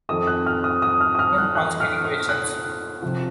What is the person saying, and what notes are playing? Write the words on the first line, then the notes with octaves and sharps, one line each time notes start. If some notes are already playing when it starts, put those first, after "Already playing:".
Don’t ask any questions.
F2 D#3 D#6
F#6
F6
D#6
D#6
F6
D#6
F6
F#6
F#6
F6
F6
F#6
C3 F3